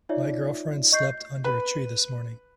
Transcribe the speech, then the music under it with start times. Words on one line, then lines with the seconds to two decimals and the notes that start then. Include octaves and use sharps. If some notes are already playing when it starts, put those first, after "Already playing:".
My girlfriend slept under a tree this morning.
0.09 D#4 F4 C#5 D5 E5
0.92 D#5 C#6 G6 C7
1.44 B4